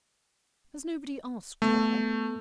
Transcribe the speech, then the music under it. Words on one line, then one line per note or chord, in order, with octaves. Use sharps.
"Has nobody asked where?"
A3 B3 A4